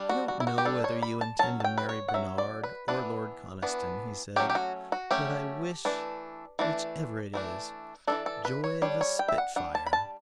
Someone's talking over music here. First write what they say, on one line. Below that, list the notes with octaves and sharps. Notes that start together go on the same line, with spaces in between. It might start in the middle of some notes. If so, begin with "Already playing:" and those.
"I don't know whether you intend to marry Bernard or Lord Conniston," he said, "but I wish, which ever it is, joy of a spitfire."
Already playing: G3 D4
F#4
F#4
E4
F#4
G4
G3 D4 A4
C#5
B5
A5
F#3 C#4 A5
A5
G5
B4
C#5
F#5
F#3 C#4 E5
D5
B4
E3 B3 D4 B4
E3 B3 D4
F#3 A3 C#4 G4
G4
F#4
F#4
F#3 A3 C#4 G4
E3 A3 D4
E3 A3 D4
E3 A3 D4
E3 A3 D4 A4
A4
B4
C#5
G3 D4 C#5
C#5
G5
E5
F#5
G3 D4 F#5
A5
B5
A5